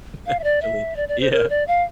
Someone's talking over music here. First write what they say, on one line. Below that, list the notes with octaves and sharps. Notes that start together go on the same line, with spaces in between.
actually." Yeah.
F5
E5
D5
E5
D5
D5
C5
A#4
D5
F5